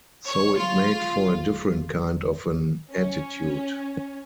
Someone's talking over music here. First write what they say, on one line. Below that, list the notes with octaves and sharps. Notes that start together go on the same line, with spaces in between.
So it made for a different kind of an attitude.
C#5
F4
C#4